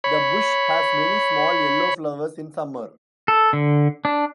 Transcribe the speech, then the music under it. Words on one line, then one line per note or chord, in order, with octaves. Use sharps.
The bush has many small yellow flowers in summer.
C#5 B5
A4
D3
D4